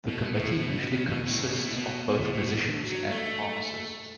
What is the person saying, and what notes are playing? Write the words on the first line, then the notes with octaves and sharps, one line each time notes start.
The committee usually consists of both physicians and pharmacists.
B2
A2
B2
C#3
B2
C#3
B2
A2
C#3
B2
A2
B2
B2
A2
A2
B2
F#3
A3